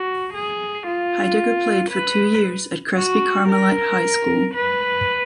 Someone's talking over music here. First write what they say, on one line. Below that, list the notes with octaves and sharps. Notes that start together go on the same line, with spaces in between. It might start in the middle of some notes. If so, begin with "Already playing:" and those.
Heidegger played for two years at Crespi Carmelite High School.
Already playing: F#4
G#4
F4
B4
F#4
A#4
B4